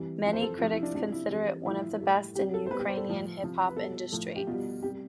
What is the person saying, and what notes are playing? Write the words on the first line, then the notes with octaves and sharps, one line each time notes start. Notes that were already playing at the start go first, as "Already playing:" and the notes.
Many critics consider it one of the best in Ukrainian hip-hop industry.
Already playing: C3 E3 G3
C3 F3
C5
A4
C3 F3 F4
E4
D4
C3 F3 D4
E4
C3 E3 G3
A2 F3 E4
A2 G3
C3 G3 G4
A4
C5
B2 G3 B4
G4
C5
A4
A2 F3
C3 F3
B4
B2 G3 A4
A2 F3
G4
B2 G3 F4
C3 G3 G4